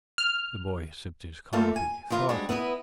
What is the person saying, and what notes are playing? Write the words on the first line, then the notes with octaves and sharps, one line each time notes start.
The boy sipped his coffee thoughtfully.
F6
A3 A#3 F4 A4 E5 A5
G#5
D#3 E3 F4 A#4 B4
G3 G#3 C4 D4 F#4
B3 E4 B4 C#5 D#5